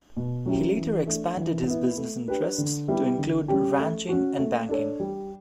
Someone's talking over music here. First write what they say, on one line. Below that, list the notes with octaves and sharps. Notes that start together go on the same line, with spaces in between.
He later expanded his business interests to include ranching and banking.
B2
F#3 C#4 E4 G4
E3
A3 D4
E3
B3 E4
A3
D4 G4 B4
D3
G3 B3 E4
D3
G3 C#4 G4
A3
C#4 F#4
A3
D4 A4 C#5
G3